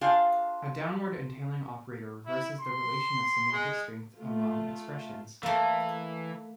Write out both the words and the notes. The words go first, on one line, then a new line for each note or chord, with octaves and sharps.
A downward entailing operator reverses the relation of "semantic strength" among expressions.
D4 F4 G#4 F5 G5
E4
C6
G#3
A3 F4
E3 A3 A#3